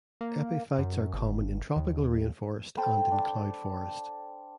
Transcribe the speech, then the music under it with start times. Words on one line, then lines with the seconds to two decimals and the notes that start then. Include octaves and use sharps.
Epiphytes are common in tropical rain forest and in cloud forest.
0.21 A#3
0.78 F#2
1.13 G1
1.76 D#2
2.77 A4 C5 G5 B5
3.11 D4